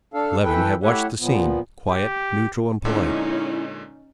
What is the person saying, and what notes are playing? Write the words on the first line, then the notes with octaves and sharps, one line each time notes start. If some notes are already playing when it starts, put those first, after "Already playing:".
Levin had watched the scene, quiet, neutral, and polite.
D4 A4 F5
E3 A4 B4 G5
A3 E4 G4 C#5 E5 F#5
A#2 F3 B3
G4
A#2 D3 G#3 C#4 D#4 E4